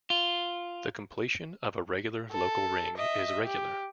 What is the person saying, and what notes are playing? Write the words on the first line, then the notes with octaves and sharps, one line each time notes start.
The completion of a regular local ring is regular.
F4
A4
D#5 E5
G4